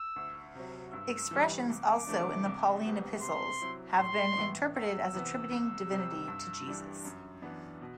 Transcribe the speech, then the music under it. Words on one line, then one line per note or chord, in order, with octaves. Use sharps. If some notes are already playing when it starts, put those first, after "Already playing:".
Expressions also in the Pauline epistles have been interpreted as attributing divinity to Jesus.
Already playing: E6
D2
C3 F#3
G2 E6
E3 G3
C2 D6
C3 E3 A3 D4
C2
C3 G3 B3
C3 C6
F#3 C4 E4
A2 C6
E3 B3 E4
E2 E6
C3 E3 B3
C2
C3 G3
G2
E3 G3 D4
F#2
E3 B3 D4
B2